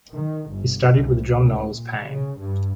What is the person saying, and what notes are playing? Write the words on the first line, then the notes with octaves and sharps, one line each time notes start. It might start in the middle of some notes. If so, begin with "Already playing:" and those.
He studied with John Knowles Paine.
D#3
G1
C2
C#2
A#2
C#3
G2